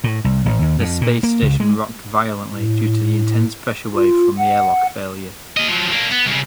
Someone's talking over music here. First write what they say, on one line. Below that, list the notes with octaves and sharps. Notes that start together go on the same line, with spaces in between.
The space station rocked violently due to the intense pressure wave from the airlock failure.
A2
C2
A1
D#2
F2
A#2
A#3
C#2
G#3
A2
F4
F#5
A#3 D#5
F3 F#3
A#3 D4
B3
C2 C#3